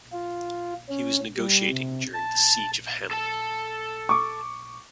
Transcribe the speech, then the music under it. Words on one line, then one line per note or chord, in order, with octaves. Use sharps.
He was negotiating during the "Siege of Hameln".
F4
C#4
G3
C3
A5
A4 A5
C#6 D6